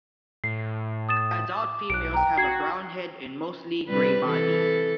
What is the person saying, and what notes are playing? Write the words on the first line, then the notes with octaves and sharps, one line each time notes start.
Adult females have a brown head and a mostly grey body.
A2 C7
D#6 A6 E7
D6
B1 F#6 D7
G5 A#5
F#4 G#6 C7
C3 G3 B4
E3 A4